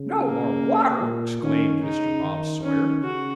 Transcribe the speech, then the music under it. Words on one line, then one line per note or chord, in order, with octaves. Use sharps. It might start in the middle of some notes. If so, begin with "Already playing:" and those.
'No warm water!' exclaimed Mr. Bob Sawyer.
Already playing: C#3
A#3
A#2
D#3 C#4
C#3 D#4
D#3
D#3 C#4
C#3 F#4